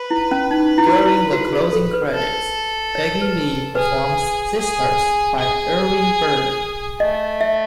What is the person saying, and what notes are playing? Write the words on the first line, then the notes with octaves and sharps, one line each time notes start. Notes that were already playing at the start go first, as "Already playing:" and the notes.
During the closing credits, Peggy Lee performs "Sisters" by Irving Berlin.
Already playing: B4
E4
C#4
D#4
E4
F#4
E4
E4
F#4
G#4
A4
B4
A4
C#5
B4
G#4 B4
G#4
G#4
A3 D#5
E5